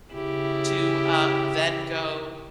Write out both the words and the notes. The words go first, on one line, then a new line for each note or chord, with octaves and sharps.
to, uh then go
C#3 E4 G4